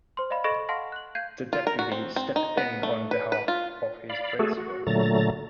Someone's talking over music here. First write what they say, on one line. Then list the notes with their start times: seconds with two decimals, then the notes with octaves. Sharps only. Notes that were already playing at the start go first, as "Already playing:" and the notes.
The deputy stepped in on behalf of his principal.
0.17 C5 C6
0.30 D5 D#5 F5 B5
0.44 A4 D#5 B5 C#6 A#6 D7
0.69 F5 F#5 A5 C6 F6 A#6
0.92 F#6 F#7
1.15 F5 G6 G#6 C7 D#7
1.53 F4
1.67 A#4
1.79 F#4
1.92 C4
2.16 C4
2.36 D#4
2.57 B3
2.83 A3
3.11 B4
3.32 B4
3.48 F4
4.10 D5 F5 B5
4.39 A3 F#4 G#4 A4
4.57 F#4
4.87 A#2 D3 F#3 A3 A#5 A6